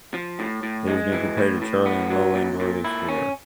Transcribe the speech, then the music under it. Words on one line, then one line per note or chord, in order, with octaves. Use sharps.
It has been compared to Charlie and Lola and Dora the Explorer.
F3
A2
A2
G#3
E3
A2
A2
B3
F#3
A#2
A#2
E4
C#4